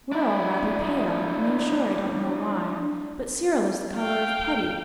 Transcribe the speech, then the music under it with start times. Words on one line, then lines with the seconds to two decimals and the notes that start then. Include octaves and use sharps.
We're all rather pale, and I'm sure I don't know why, but Cyril is the colour of putty.'
0.12 D4 E4
3.97 F5 G5